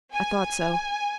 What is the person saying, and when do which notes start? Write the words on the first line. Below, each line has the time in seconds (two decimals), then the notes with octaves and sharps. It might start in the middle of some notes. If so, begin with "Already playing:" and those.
I thought so.
0.12 G#5